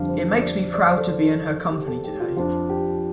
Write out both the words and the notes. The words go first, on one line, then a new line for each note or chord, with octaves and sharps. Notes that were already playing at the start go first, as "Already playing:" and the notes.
It makes me proud to be in her company today.
Already playing: F2 D3 G3 D4 F5
C5
D5
D5
C5
A4
C5
G4
A4
G4
F4
F2 F3 D4 F4
G4